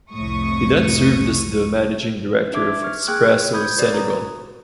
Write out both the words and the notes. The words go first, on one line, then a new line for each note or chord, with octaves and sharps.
He then served as the managing director of Expresso Senegal.
C2 F2 A2 C#6 D#6
D4 E5 D6 G#6
C#6 F6
A#3 G#4 G5 C#6 F#6 G#6
C5 B5 D#6 G6 G#6
F#4 A4 B4 C#5 D5
A#5 D#6